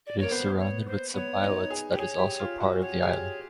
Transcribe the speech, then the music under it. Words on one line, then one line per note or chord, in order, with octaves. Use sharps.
It is surrounded with some islets that is also part of the island.
D5
A#3 C#5
B3 C5
C#5
C5
B3 C#5
D#4
G#4
G4
G#4 C#5
G4
F4
F#4
C#5
G#4
G4